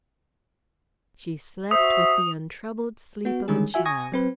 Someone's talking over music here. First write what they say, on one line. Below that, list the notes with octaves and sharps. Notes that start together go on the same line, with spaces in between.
She slept with the untroubled sleep of a child.
F#4 C5 E5 D#6
B3 F#4
D3 D#3 G3 G#3 C#4 G#4
F4 F#4 E5 G#5
G#5 C#6 D#6 G#6 A#6
F#3 C4 B4